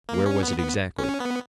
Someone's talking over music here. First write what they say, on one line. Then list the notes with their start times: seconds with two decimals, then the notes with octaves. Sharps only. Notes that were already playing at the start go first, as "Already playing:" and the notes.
"Where was it, exactly?"
0.09 A#3
0.26 C#4
0.43 B3
0.59 B3
0.98 C#4
1.20 B3